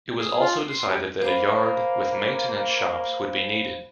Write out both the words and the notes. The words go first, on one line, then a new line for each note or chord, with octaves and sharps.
It was also decided that a yard with maintenance shops would be needed.
G#4
F4
C6
G3
A#3 C5 F5 B5